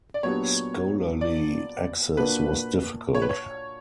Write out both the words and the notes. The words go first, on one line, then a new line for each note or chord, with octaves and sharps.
Scholarly access was difficult.
D5
A#2 F#3 B3 D4 G4 C#5
D5
A#2 A#3 D4 F#4 B4
C#5
B4
C#5